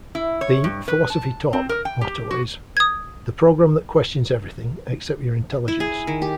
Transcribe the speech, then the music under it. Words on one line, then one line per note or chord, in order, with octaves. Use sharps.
The "Philosophy Talk" motto is, "the program that questions everything, except your intelligence."
E4
C#5
G2
B4
A5
C4
A#4
G5
G4
F#4
D#6 G#6
E4
G#4
D#3
G4